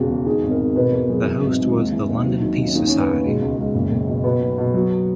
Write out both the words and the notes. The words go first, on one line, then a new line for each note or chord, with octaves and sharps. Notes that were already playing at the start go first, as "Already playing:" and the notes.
The host was the London Peace Society.
Already playing: E1 C#3 F#4
E2
D#3 G#4
G#1
A#4
G#1
B2 B4
E2 A#4
F#3 G#4
E3
G#1
G#2
D#2
E3
D#2
F#3
D#3
D#2
C#4
D#2 D#4
C#4
E3
B3
D#2
B2 G#3
C#2
C#2
F#1
F#1
B2
B2 B3
B1
B2
F#3